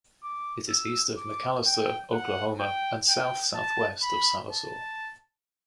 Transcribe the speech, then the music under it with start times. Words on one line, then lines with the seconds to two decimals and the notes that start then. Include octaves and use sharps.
It is east of McAlester, Oklahoma and south southwest of Sallisaw.
0.23 D6
0.69 E6
1.17 D6
1.66 G5
2.13 F#5
2.60 G5
3.09 G5
3.55 A5
4.03 B5
4.50 A5